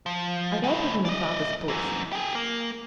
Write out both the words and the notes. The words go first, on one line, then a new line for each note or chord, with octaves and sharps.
I gave her one of father's books.
F3
A2 C#3
D5 D#5
F#2 E3
G4 G#4
A#3